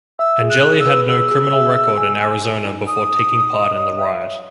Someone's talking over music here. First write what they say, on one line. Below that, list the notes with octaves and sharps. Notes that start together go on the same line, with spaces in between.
Angeli had no criminal record in Arizona before taking part in the riot.
E5 E6
G#4
F#6
G#4
E6
B4
G#4 E6
G#4
E5
G#4
G#5
G#5
G#5
D#4
G#5 D#6
D#4
D#4
D#5
C#5
E5
C#5